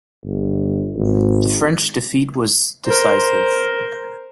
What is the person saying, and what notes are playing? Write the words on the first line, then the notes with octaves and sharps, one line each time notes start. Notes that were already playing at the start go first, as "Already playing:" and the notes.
The French defeat was decisive.
G1
G#1
A#4 C5